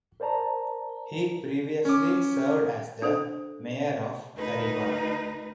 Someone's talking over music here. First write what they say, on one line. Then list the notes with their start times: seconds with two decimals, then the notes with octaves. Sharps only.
He previously served as the Mayor of Kariba.
0.20 A#4 C5 D5 A5 A#5
1.85 C#4 D6
3.02 D4 A4 C5
4.35 D2 D#3 D#4 B4